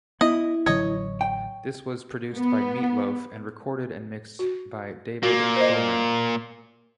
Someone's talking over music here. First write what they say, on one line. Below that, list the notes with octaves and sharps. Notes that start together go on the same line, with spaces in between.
This was produced by Meat Loaf and recorded and mixed by David Thoener.
B3 E4 D#5
A1 D3 F#3 C#5 D#5
G5
B3
F#4
A#2 A#3 F#4
C5 D#5